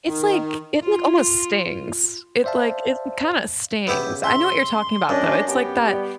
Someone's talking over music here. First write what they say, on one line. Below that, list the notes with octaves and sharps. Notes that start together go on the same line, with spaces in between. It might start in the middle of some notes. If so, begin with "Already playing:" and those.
It's like it, like, almost stings, it, like it kinda stings. I know what you're talking about, though, it's like that
D#3
F4
C5 D5 E5 F5 A5
C#3 B3 E4 G4
E5 C6
F#2 C#4 D4 D#5
B3 G4
G3